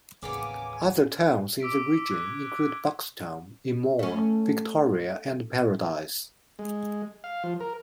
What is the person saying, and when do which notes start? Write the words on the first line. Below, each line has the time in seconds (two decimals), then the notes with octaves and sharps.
Other towns in the region include Buxton, Enmore, Victoria and Paradise.
0.23 A1 D#2 C#3 A#3 B3 G#5 D6
1.60 D6 E6 B6 D7
2.11 F#6 G#6 B6
3.99 A3 C#4
6.59 G#3
7.24 F5
7.44 F3
7.60 A#4